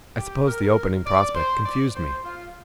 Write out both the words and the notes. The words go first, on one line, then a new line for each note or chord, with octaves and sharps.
I suppose the opening prospect confused me.
G4
A#4
D5
C5
D5
C5
F4